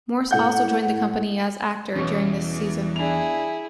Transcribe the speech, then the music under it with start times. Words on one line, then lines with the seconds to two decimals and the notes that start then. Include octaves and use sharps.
Morse also joined the company as actor during this season.
0.31 A2 F#5 G6
1.95 E2 B2 C#4
2.96 D4 E4 G#4 F7